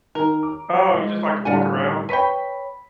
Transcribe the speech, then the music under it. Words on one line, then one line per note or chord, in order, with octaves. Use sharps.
Oh, you just like to walk around?
D#3 A#4
D6
F3 G#3
A2 D3 G3 F4 F#5 G#5
B4 C#5 G5 B5 B6